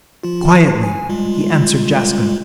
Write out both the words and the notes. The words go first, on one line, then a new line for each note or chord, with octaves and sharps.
Quietly be answered Jaska.
F3 F4
G#5
G3 G#3 F4